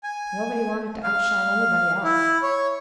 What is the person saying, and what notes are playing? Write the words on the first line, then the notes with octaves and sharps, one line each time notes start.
Nobody wanted to outshine anybody else.
G#5
F5
E4
C#5